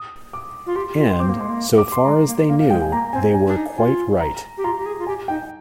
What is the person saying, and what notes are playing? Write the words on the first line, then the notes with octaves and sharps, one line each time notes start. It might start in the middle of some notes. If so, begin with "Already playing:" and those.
And, so far as they knew, they were quite right.
Already playing: D#6
D6
F4
G4 C6
F4
C6
C4 D6
A#3
G#3 C6
A#3
D6
C6
G#3 A#5
A#3
A#3 F5
F5
G#3 G5
G#5
A#3 A#5
C4 G#5
G#5
D4
D#4
F4 G#5
A#5
G4
F4 A#5
G4
G#4
F4
G4 G#5
D#4 G5